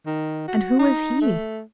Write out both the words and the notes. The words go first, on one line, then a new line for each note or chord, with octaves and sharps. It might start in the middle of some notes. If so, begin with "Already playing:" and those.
And who was he?
D#3
F#4
D#4
A3